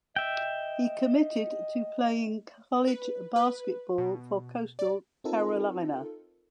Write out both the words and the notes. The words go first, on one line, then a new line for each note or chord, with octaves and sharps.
He committed to playing college basketball for Coastal Carolina.
D#5 E5 G5
B4
B4
B2
D5
C4 D#4 F4 A4 A#4